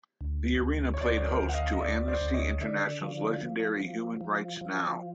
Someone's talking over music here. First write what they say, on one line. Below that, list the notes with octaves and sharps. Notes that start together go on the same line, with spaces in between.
The arena played host to Amnesty International's legendary Human Rights Now!
D2
D2
C#5
D2 C5 D5
C#5
A#4 C5
D2
F#5
D#5 F5
D#5
D2 D5 E5
C5 D5
D2
C#5 D#5
D3 D5 E5
F3
F3
F3
F3
F3